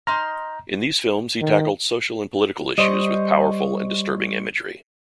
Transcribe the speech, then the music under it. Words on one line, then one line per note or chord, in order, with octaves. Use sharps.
In these films he tackled social and political issues with powerful and disturbing imagery.
D#4 A#5 C6 F6
D#3
G3 C5 C#5 D#5 C#6